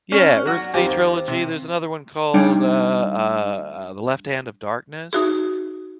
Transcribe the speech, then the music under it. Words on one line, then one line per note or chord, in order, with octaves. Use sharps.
Yeah, Earthsea trilogy, there's another one called, uh uh uh, The Left Hand Of Darkness,
C#4 D5 C#6 F6
F#3 F#4
D#2 C4 G4 C5 F5
C3
G3 D4 D#4 C#5 G5
D#4 F#4 G#4